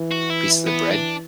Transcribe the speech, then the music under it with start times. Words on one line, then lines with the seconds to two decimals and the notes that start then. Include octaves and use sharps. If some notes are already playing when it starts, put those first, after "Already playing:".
pieces of bread?
Already playing: E3
0.11 F#4
0.30 E4
0.67 B3
0.91 D4